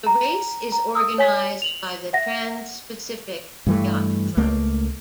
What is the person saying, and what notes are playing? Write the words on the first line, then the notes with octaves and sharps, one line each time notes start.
The race is organized by the Transpacific Yacht Club.
A#5
A#5
D#6 E6
C#5 G#5 B6
F7 F#7
E5 F#5 A#6
G2 E3 A3
C#2 A3 A#3